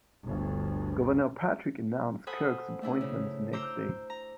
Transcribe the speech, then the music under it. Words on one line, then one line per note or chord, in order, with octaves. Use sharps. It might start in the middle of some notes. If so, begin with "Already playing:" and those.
Governor Patrick announced Kirk's appointment the next day.
G1 D2
A4 C5 F#5 G#5 B5 D#6
A3 D4 E4 G#4
C#3
C5 A#5 D6 E6 G6
A#5